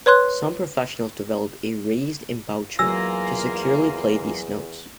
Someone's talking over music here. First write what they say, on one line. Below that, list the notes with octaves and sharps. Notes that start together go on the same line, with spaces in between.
Some professionals develop a "raised embouchure" to securely play these notes.
B4 C#5 C6 F#6
E2 F#3 A#3 F4 G#5 E6 A#6